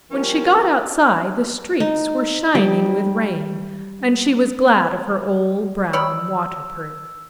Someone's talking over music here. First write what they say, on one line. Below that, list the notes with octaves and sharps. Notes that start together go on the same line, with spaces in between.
When she got outside the streets were shining with rain and she was glad of her old brown waterproof.
F3 G3 C#4 A#4
D#4
G3
C#5 D5 B5 E6